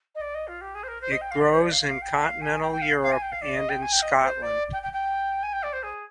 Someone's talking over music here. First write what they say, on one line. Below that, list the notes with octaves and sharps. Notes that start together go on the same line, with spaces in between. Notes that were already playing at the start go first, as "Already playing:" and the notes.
It grows in continental Europe and in Scotland.
D#5
D5
D#5
F4
G4
G#4
C5
A#4
C5
D#5
G5
F5
D5
C5
D5
F5
F5
G5
F5
G#5
G5
G5
F5
F5
G#5
G5
F5
D5
D#5
G5
G#5
G5
D#5
C5
D5
G5
G5
G5
G#5
G5
D5
C5
G#4